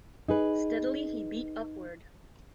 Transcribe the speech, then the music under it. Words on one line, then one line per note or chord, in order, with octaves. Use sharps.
Steadily he beat upward.
D#4 G#4 B4